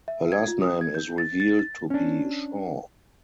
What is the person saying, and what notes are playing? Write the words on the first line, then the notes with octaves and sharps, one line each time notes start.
Her last name is revealed to be Shaw.
E5
G#6
F4
D#6
G#6
G6
A6
A6
A6
C#4 D4